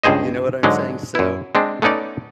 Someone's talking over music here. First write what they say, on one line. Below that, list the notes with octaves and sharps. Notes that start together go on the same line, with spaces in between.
You know what I'm saying, so
C#2 G2 G#4 C5 D#5
G#2 D3 F#3 G#3
F#2 E4
G#3 C4 D4
A3 B3 C#4 D#4 D5